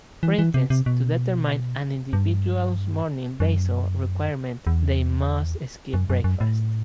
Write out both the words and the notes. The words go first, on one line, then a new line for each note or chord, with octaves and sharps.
For instance, to determine an individual's morning basal requirement, they must skip breakfast.
E3
E3
C3
C3
B2
G2
F#2
E2
F#2
F#2
F#2
A2